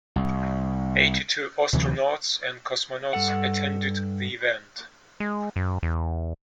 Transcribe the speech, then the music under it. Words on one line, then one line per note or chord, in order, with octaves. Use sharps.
Eighty-two astronauts and cosmonauts attended the event.
C2
D2 C3 E3 F#3
G2 A4 F#5
G#3
F#2
E2